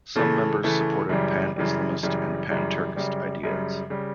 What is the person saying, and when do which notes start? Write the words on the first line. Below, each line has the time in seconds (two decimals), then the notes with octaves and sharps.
Some members supported Pan-Islamist and Pan-Turkist ideas.
0.16 C#3 E3 A3
0.63 C#3 E3 A3
1.09 F#2 C#3 E3 G3
1.56 F#2 C#3 E3 G3
2.03 F#2 C#3 E3 G3
2.50 F#2 C#3 E3 G3
2.96 F#2 C#3 G3
3.43 F#2 C#3 G3
3.90 C#3 G3